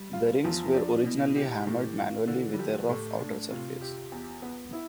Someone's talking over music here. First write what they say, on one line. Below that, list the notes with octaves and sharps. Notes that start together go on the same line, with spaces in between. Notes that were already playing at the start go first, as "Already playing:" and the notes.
The Rings were originally hammered manually with a rough outer surface.
Already playing: G3
F4
E2 F3
D4
B2 E3
G4
A2 E3
F4
D3 E3
G3
F3 G4
A2 A3
A2 D4
C3 F4
G4
E2
B3
E4